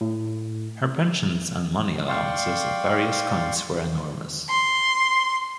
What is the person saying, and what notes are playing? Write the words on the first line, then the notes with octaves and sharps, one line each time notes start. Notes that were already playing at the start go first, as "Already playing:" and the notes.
Her pensions and money allowances of various kinds were enormous.
A2
D5 F5 G5 C6 C#6
C6